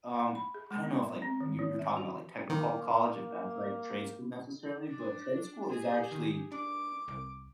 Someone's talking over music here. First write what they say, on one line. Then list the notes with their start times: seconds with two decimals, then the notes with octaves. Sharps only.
um, I don't know if, like you you were talking about, like, technical college, if that's, like, trade school, necessarily, but trade school is actually,
0.19 F#5
0.35 B5
0.54 G#4
0.71 G#3
0.83 B3
1.03 E5
1.22 C4
1.40 D#3
1.59 E3
1.79 E5
1.97 F#4
2.49 D#3 A#3
4.88 D4
5.70 G4 G#4
6.12 D#3
6.52 D4 D6
7.08 C2